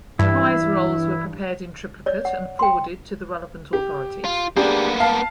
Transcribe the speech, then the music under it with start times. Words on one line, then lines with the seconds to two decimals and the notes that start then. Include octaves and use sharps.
Prize rolls were prepared in triplicate and forwarded to the relevant authorities.
0.19 G2 E3 E4
2.06 C#5 D5
2.25 F#5
2.59 G5 C6
3.73 G4
4.25 F4
4.57 A#3 B3 D4 G4 G#4
5.00 F5 A5